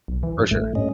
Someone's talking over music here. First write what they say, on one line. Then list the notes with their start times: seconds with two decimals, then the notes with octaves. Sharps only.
For sure.
0.08 B1
0.23 E3
0.38 G2
0.51 A1 A2 A3
0.75 G2 C#4 D#5